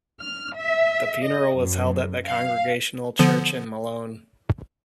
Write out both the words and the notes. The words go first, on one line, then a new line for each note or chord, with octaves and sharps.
The funeral was held at the Congregational church in Malone.
F6
E5
D#5
F#2
F5
D3 F3 B3